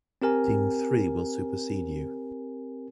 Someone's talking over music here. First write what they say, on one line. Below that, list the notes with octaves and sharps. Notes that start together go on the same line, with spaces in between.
Team three will supersede you.
C4 G4 A#4 G#5